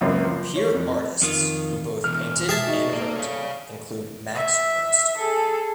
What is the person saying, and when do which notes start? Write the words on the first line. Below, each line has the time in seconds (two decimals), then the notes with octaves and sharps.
Peer artists who both painted and wrote include Max Ernst.
0.01 C#2 F#2 A#3 C4
0.25 F3
0.56 C#5
0.74 F2
1.22 F2 D#3 F4
2.04 B2 E3 F6
2.49 G4 G#4 E5 A5
2.68 D#4 F#4
2.93 C2 A#3 A4 D5
3.16 C#5 F5
4.35 E5
5.18 G#4 A4